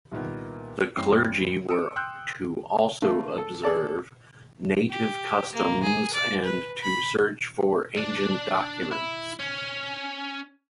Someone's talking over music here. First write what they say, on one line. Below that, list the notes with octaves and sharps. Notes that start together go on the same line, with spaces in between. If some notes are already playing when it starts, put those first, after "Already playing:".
The clergy were to also observe native customs and to search for ancient documents.
C2 A#2 D#3 A#3 B3
F#1 E3 G3 C4 C#5 C7
D#6 E6 C#7 D7
G5 C6 E6 F#6 G6
D3 A3 A#3
A4
G#4 A4 D5 A5
G4
A#3
G#4
D5
B4
B5
D4 D5
E4
C#4